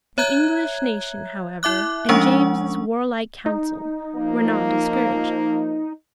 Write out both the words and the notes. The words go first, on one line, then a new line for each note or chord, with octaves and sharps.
The English nation, however, and James's warlike council, were not discouraged.
C#5 E5 A#5 F#6 G#6
E4 E5 D6 F#6
F3 G#3 C#4 D4 F#5 C#6
D#4
F3 A#3